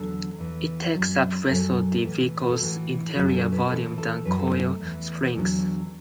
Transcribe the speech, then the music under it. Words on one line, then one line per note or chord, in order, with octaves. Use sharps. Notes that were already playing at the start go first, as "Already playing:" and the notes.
It takes up less of the vehicle's interior volume than coil springs.
Already playing: E2 D3 F#3 A4
E2 E3
F#2 F#3
F#2 F#3 A4
A2 E3
B4
A4
A2 E3 F#4
F#2 D3 F#3 F#4
A4
B4
A2 E3 A4
A4
F#2 F#3 B4
A4
A3
E2 E3
E2 D3 F#3